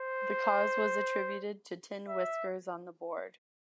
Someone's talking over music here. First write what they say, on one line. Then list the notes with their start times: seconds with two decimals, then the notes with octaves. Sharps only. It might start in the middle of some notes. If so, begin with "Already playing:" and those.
The cause was attributed to tin whiskers on the board.
Already playing: C5
2.09 E5